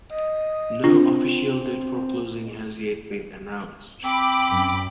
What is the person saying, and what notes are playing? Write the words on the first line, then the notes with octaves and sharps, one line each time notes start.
No official date for closing has yet been announced.
D#5
C4 D4 F4
C4 G5 B5 D6
F#2